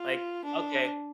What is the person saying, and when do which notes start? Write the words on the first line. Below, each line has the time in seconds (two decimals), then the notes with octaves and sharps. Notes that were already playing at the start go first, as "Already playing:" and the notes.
like, okay.
Already playing: F4
0.45 D4